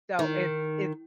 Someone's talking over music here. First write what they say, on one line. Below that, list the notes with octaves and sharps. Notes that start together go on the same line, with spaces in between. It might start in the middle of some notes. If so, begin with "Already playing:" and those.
So it's it's
D#3